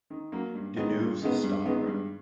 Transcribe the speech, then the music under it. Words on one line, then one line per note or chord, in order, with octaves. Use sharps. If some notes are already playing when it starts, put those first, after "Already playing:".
Deneuve's a star.
D#3
F#3 A#3
G2
D#3 G#3 B3
G2
D#3 G#3 B3
G2
D#3 G#3 B3
G2